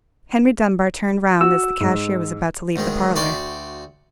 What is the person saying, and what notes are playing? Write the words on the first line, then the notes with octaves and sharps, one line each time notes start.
Henry Dunbar turned round as the cashier was about to leave the parlour.
F#4 E6
G#2
D2 G#2 D#3 G#3
D2 F#4 D5 G5 C6